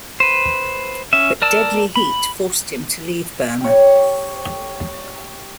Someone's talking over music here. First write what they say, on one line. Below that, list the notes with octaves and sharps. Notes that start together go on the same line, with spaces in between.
But deadly heat forced him to leave Burma.
B4 C5
C#4 E5
A#4 D5 A5 E6
B5
G4 C#5